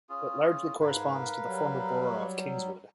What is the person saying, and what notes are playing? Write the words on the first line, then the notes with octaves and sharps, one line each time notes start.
It largely corresponds to the former borough of Kingswood.
C#4 F4 G#4
G#2 A#4 B4 F5
F#3 G3